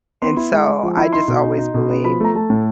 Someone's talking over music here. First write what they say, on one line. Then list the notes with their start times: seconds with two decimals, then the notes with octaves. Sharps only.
and so I just always believe
0.22 B3 C6
0.37 E4
0.52 G#3
0.68 G#3
0.83 F3
0.97 E4
1.13 D#4 C6
1.28 B2
1.43 D#4
1.58 D#4
1.74 B2
1.90 B3
2.04 F3 B5
2.20 A3 A#5
2.35 A3 A5
2.50 A2